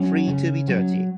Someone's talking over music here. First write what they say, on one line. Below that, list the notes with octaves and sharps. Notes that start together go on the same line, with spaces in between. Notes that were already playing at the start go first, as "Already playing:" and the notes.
Free to Be Dirty!
Already playing: F#3 C#4
C#3
F#3